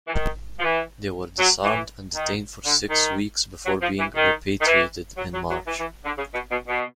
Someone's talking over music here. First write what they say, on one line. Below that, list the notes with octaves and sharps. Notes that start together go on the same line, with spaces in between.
They were disarmed and detained for six weeks before being repatriated in March.
E3
D#3
F3
E3
F#3
E3
D#3
D3
D#3
F#3
F3
E3
D#3
D#3
E3
F#3
F#3
F#3
E3
E3
D3
C#3
B2
B2
B2